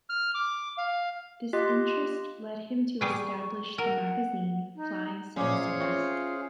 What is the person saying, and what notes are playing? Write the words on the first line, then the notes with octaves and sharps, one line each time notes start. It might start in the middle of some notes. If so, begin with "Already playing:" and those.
This interest led him to establish the magazine "Flying Saucers".
F6
D6
F5
F4 G4 D#5 C6
G3 G#4 B4 C#6
A#4 F#5
D#4
F#2 A#2 C#4 G#4 C5 D5 F5 D6
C4 F4 C#5 E5 C#6